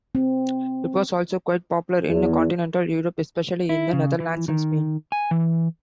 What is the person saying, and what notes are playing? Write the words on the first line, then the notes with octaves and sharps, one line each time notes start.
It was also quite popular in continental Europe, especially in the Netherlands and Spain.
C4
E2
E4
C#3
E3
D#3
G#5
E3